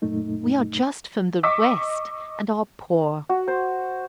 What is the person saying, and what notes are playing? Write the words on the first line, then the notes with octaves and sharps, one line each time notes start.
We are just from the West, and are poor.
F#2 A#2 A3 D#4
D#5 C#6 D6 E6 B6
F#4
C5